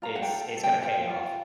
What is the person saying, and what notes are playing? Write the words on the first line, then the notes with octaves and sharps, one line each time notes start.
it's it's gonna pay off.
F4 A#5
F#5
G5
A4
A4
G5
F4 G5
F4